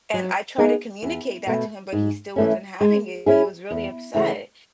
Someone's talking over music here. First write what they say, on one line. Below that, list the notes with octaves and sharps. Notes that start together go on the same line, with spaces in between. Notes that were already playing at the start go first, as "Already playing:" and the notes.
And I tried to communicate that to him, but he still wasn't having it, he was really upset.
F#3
B3 D#4 G#4 D#5
E2
B2 A3
G#2
E3 A3 C#4
G#3
C#4 E4 G#4
E2
C#3 E3 A3 E4